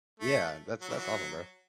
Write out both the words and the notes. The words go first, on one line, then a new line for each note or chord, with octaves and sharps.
Yeah, that's that's awesome, bro.
A3
F#3
E3
F#3